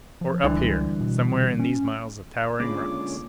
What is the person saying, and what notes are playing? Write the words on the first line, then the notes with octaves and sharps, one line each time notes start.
Or up here, somewhere in these miles of towering rocks?
F3
C#2 G2 D3 E3
B2
C#4
D3 G#3 A#3 C#4 F4 G#4 B5 D6